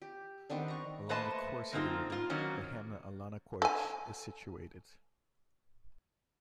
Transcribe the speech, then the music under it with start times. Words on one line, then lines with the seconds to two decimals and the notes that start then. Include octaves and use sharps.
Along the course of the river, the hamlet Allanaquoich is situated.
0.02 G4
0.50 D#3 B3 C4 D4
0.68 A#5 C#6
1.09 A3 A#3 B4 C5 D#5 A5
1.73 D3 A#3 C4 D#4 F4
2.10 A#3 F4
2.30 D#3 F#3 A#3 C4 C#4
3.62 A4 G#5